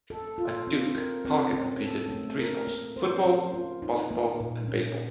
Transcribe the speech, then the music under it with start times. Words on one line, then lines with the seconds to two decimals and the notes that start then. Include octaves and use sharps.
At Duke, Parker competed in three sports: football, basketball and baseball.
0.10 A4
0.38 F4
0.67 C4
0.95 A#4
1.25 C4
1.53 C#4
1.82 A4
2.10 A3
2.39 A#4
2.67 A#3
2.96 C5
3.25 C#4
3.54 F4
3.82 D#4
4.11 A#3
4.40 A#2
4.68 C#4